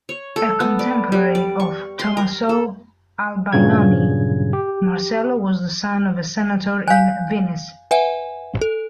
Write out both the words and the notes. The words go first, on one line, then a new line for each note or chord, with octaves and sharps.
A contemporary of Tomaso Albinoni, Marcello was the son of a senator in Venice.
C#5
A4
B3
D5
G3
D5
C#6
C6
A#4
A4
G2 A#2 C#3 F#3 G#6
G4
F5 G#5 F#6 G6
B4 E5 F#5 G#5
A4